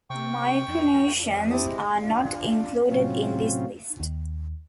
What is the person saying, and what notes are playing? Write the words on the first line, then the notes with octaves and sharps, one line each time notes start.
Micronations are not included in this list.
C3 G5 C#6
F2
C4 E4 G4 A5 D#6
G#3
D4 F4
A2 C3 F#3 C4 C#4 F4
D#2